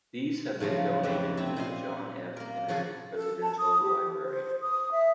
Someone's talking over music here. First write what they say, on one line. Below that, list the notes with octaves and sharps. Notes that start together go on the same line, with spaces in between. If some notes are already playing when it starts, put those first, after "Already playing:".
These have been donated to the John F. Kennedy Presidential Library.
A2 C#3 F3 F#3
F2 G4 B4 E5
C3 C4 E5
A#2 D#5 C6
A#3 A#4
C#3 F3 F#4 G#4 A4
A4
A5
D#6
G4
C5
D#6
E5